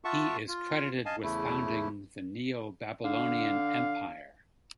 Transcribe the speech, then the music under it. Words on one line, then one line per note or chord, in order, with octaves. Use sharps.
He is credited with founding the Neo-Babylonian Empire.
F4 E5 F#5 A5 C#6
F4
D#5 F5 G#5 A5
E2 C#3 A3 E4
D3 F5